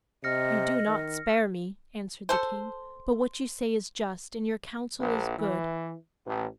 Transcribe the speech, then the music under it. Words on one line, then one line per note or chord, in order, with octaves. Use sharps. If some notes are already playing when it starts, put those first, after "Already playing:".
'You do not spare me,' answered the king; 'but what you say is just, and your counsel is good.
C3 D#5 F6 A#6 C#7
D#3
A4 C5
A#1
E3
A1